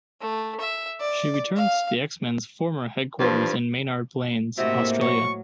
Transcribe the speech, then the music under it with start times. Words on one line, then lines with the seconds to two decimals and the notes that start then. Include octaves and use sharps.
She returns to the X-Men's former headquarters in Maynards Plains, Australia.
0.21 A3
0.60 E5
1.00 D5
1.56 F5
3.19 G2 E3 F3
4.58 A2 C3 A#3 F#4 D#5 E5
5.02 F#3 C#6